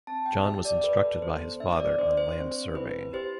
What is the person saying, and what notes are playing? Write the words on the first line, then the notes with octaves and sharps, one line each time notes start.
John was instructed by his father on land surveying.
C4 A5
G5
G4 E5
D5
A4 B4
B3 C5
D4 E5
D5
D4 C5
C5
C4
E4 B4
G4 C5